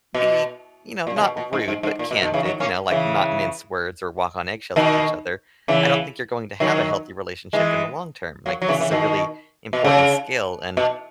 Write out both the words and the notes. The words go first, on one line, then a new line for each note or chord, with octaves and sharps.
be, you know, not rude but candid, you know, like not mince words or walk on eggshells with each other, I don't think you're going to have a healthy relationship in the long term, like, this is a really important skill, and
B2
A#2
C#3
B2
B2
G#2
G#2
G#2
A#2
B2
B2 D#3
C#3 E3
D#3 F#3
A#3 C#4
C#3 E3
B2 D#3
C#3 E3
D#3 F#3
E3 G#3
F#3 A#3
F#3
C#3 E3
C#3 E3
B2 D#3
B2
C#3
B2